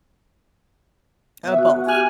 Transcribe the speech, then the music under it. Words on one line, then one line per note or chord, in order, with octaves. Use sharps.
Uh, both.
B3 E5
F#4
G4 G#5 F6 F#6